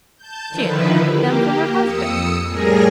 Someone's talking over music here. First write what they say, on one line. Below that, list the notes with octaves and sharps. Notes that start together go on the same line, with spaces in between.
She inherited them from her husband.
A5 G6
D3 D#3 F3 E4 B4
A#3 G4
F2 D#6 E6 C#7
A2 G3 G#4 A#4 G#5 A#6